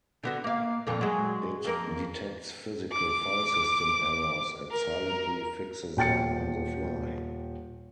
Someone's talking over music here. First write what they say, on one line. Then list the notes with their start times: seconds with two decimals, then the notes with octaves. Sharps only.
It detects physical file system errors and silently fixes them on the fly.
0.23 D3 B3 F#4
0.44 A#3 F5
0.87 F2 A#2 D3
1.01 F#3 G#3
1.64 F2 A#3 A#4
2.92 D6
4.71 A#4
5.97 D#1 G5 A6 C#7